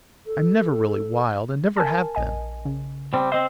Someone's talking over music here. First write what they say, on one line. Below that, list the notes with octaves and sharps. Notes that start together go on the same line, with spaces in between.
I'm never really wild and never have been.
A4
A#4 G#5 A5
A#1 D#5 G#5
C#3
G3 C4
C4 C5 D#5